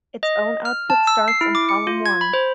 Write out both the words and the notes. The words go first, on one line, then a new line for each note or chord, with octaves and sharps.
Its own output starts in column one.
D#5
F6
A5
E6
C7
E4
D6
C#7
F4
G#6
B5
C5